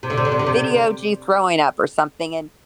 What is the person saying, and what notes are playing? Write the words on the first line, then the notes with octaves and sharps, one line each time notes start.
videoed you throwing up or something, and
C3
D3
C3
D3
C3
D3
C3